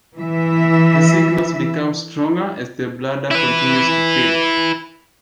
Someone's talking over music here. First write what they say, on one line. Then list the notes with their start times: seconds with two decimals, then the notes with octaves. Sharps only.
The signals become stronger as the bladder continues to fill.
0.18 E3 E5
3.31 E4 B4